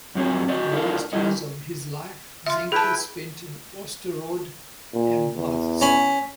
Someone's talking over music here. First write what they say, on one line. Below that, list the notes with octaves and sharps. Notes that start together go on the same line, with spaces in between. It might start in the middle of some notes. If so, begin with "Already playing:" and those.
The last years of his life Zenker spent in Osterode am Harz.
F#2 F3 F#3 C4 C#5
F#4 D5 D#5
D4 E4 F4 G4 A4 A#4
G3 E4 A4 D#5
F4 E5 C6
E4 G#4 B4 G5 A5
A#2
E2
C#4 B5